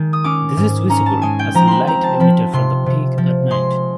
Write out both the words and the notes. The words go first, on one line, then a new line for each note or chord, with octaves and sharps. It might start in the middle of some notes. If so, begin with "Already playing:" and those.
This is visible as light emitted from the peak at night.
Already playing: D#3 G#3
D#6
C#4 D6
G#2
C#4 A#5
A5
G#3 G#5
G5
F3 A#5
B5 C6
C4 A#5
A5
F3 B5
C3 C6
C3
F3
G#3 C6